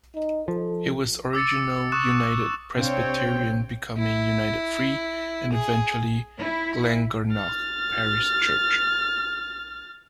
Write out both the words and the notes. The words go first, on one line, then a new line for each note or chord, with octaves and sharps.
It was original United Presbyterian becoming United Free and eventually Glengarnock Parish Church.
D#4
F3 A4
D6 E6 A6 C#7
C#6 D#6 F#6 E7
C3 C4 D4 C#5 F5 G5
E4
G#4
E4
F6 A6